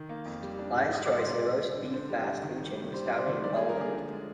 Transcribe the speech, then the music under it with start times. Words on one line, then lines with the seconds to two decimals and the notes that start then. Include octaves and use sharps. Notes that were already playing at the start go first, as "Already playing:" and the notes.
Lion's Choice, a roast beef fast food chain, was founded in Ballwin.
Already playing: D#3
0.09 A#3
0.25 F2
0.42 G3
0.59 D4
0.76 G#2
0.93 G3 D#6
1.06 A#3 D6
1.17 C6
1.26 A#2 D5
1.42 G#3
1.59 C4
1.76 D3
1.93 D3 C5
2.09 G3
2.26 G2
2.44 D#3
2.60 G3
2.77 G2
2.93 G3 C5
3.06 D4 D5
3.18 C5
3.27 D#3
3.44 G3 D5
3.56 A#3 G#4
3.69 A#4
3.77 D3 G#4
3.94 F3
4.10 G#3